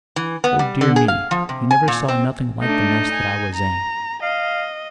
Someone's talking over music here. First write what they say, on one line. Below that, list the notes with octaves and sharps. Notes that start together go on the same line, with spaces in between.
Oh, dear me, you never saw nothing like the mess that I was in!
E3
B3
G3
D3
G#4
F5
F3
C3
G#5
A#2
C4
A3 D4 D#4
G#5
A#5
D#5 F5